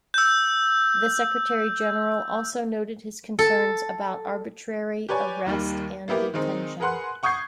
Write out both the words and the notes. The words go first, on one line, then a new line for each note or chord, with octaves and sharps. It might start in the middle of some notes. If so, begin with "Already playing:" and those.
The Secretary-General also noted his concerns about arbitrary arrest and detention.
E6 G6
A4
G4 B4 C#5 D5 G#5
D#2 D#3 G3 A#3
A#3 B3 E4 G4 A#4
D#3 G#3 C4 D#4
G#4 A#4 B4 F#5 C6 F#6
F#5 C#6 D#6 G6 G#6 C7